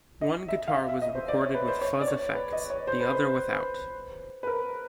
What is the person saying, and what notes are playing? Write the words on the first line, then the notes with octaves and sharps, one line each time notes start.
One guitar was recorded with fuzz effects, the other without.
D#5
E5
F5
E5
E5
D#5
C5
D5
C#5
B4
C5
C#5
D5
C#5
B4
D#5
C#5
C5
B4
C5
B4
A#4